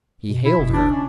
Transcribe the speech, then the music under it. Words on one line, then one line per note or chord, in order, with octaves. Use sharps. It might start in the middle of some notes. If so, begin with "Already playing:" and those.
He hailed her.
B2
E4
F#1 B2
D4
C#4